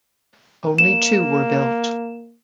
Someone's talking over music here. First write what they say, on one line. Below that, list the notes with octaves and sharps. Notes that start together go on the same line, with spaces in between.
Only two were built.
A#3 E7